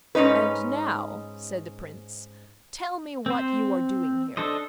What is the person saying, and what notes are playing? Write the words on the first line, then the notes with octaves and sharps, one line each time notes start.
"And now," said the Prince, "tell me what you are doing here."
G#2 C#4 D#4 B4
C4 C5
D4 A4 C5 D#5